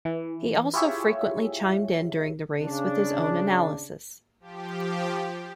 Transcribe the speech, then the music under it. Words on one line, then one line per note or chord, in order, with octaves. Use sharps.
He also frequently chimed in during the race with his own analysis.
E3
E4 F4 G4 G#4 C#5 E5
C#3 D4
F3 G4